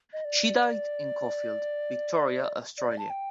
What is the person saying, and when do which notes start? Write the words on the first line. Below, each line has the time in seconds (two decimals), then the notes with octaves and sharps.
She died in Caulfield, Victoria, Australia.
0.13 D#5
0.25 D5
2.78 D5
2.98 A5
3.10 G5